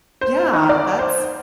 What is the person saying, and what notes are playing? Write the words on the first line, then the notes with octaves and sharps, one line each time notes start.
Yeah, that's
C5
D#4
D5
C5